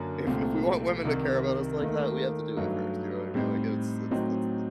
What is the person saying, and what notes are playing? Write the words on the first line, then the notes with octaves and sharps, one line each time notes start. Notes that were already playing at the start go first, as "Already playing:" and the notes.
If if we want women to care about us like that, we have to do it first," you know what I mean? Like, it's it's that's
Already playing: F#2 D3 F#3 A#3 D4
C2 A#2 A3 C4
C2 C3 D#3
D#2 D#3 A3
G2 F#3 A3 D#4
A2 G3 C4 D#4
A2 F#3 C4 D#4